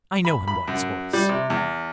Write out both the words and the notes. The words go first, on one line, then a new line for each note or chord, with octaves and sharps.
I know him by his voice.'
B5
B5
F#2
G3
C3
E2